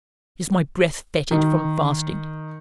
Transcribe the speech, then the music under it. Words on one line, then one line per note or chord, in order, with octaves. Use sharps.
Is my breath fetid from fasting?
D#3